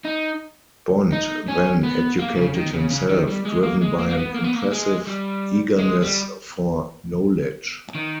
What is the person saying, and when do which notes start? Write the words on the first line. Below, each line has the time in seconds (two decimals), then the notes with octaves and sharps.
Bond then educated himself, driven by an impressive eagerness for knowledge.
0.05 D#4
1.12 D#4
1.48 C#4
1.84 B3
2.19 A#3
2.38 C#3
2.55 D#3
2.73 C#3
2.91 C#3
3.09 D#3
3.27 G3
3.45 G#3
3.63 A#3
3.81 G#3
3.99 A#3
4.09 A#3
4.18 B3
4.34 A#3
4.44 B3
4.54 A#3
4.72 G#3
5.07 G3
5.78 G#3
6.02 G3
7.95 D#3